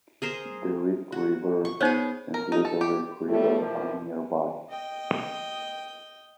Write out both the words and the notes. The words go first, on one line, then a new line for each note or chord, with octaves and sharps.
The Rib River and Little Rib River are nearby.
G#4 A#4 C5
F#4
C#6
B3 D#4 G#4 C5 C#5
A#4
D#4
A4
G4
A2 D#3 G3 A3
B2 D#3 F3 E4 G4 A#4
D#5 G5